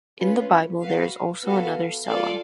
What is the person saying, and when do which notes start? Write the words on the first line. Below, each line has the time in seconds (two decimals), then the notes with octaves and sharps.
In the Bible there is also another Sela.
0.19 C#4 F4 B4
0.82 F#4 B4 F5
1.44 B3 F#4 A4 F5
2.06 F4 A4 D5 F5